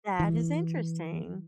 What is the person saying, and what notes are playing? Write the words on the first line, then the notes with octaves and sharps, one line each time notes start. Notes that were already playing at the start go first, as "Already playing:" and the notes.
That is interesting.
E3